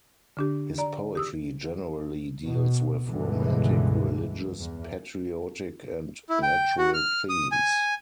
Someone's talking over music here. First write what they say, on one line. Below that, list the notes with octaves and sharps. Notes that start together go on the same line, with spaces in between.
His poetry generally deals with romantic, religious, patriotic and natural themes.
D3 D4 G4
D5 A#5
G4 D#6 E6
B2
C#2 G2 B2 D3 E3 G#3
E2
E4
G5
F#4
F6
D#6
G#5